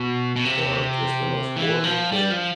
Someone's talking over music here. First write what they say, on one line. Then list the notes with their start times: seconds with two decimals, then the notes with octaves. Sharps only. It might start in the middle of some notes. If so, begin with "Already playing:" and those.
or just the most horrible thing
Already playing: B2
0.36 B2
0.45 C3
1.56 E3
1.84 F3
2.12 G3
2.30 F3